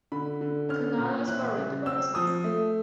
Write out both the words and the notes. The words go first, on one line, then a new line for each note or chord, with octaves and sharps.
Kunal is worried about something.
D3 B5
D3
C#4 F6
A#2
E3 F#6
C#3
C4 E6
F3 D#6
A3